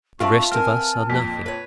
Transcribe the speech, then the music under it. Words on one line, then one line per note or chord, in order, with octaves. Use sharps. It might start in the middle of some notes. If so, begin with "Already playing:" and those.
The rest of us are nothing.
C4 D4 F4 B4 E5 F5 A5 C#6
C4 A#4 G#5 A5 F6
F2 A#2 B6
B4 C#5